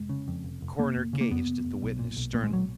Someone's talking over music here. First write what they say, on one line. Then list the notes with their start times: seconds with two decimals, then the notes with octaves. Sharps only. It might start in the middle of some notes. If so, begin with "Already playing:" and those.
The coroner gazed at the witness sternly.
Already playing: F1 G#3
0.09 C#3
0.28 F2
0.44 F1
0.62 F1
0.78 F1 A#3
0.96 F1
1.13 C#3
1.21 A#3
1.31 F2 B3
1.47 F1
1.64 F1
1.82 B1
1.99 A#2
2.17 B1
2.33 A#2 A#3
2.44 G#3
2.51 B1 F#3